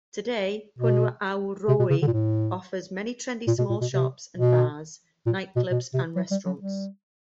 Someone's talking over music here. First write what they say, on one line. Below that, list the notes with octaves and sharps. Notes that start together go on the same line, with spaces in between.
Today Punavuori offers many trendy small shops and bars, nightclubs and restaurants.
B2
C3
B2
C#3
D3
A#2
A2
A#2
B2
A#2
B2
C3
B2
A#2
B2
B2
C3
F#3
G3
F#3
G3